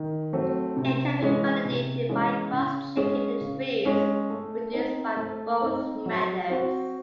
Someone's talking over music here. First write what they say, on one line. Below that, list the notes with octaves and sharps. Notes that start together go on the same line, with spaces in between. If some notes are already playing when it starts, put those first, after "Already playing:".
It can be validated by cross-checking the trees produced by both methods.
Already playing: D#3
F#3 A3 C4
C3
E3 G#3 C#4
C3
E3 G#3 C#4
C#3
G#3 C#4 G#4
C#3
G#3 C#4 G#4
A3
C4 D#4
A3
C4 D#4
F#3
C4 F#4 C5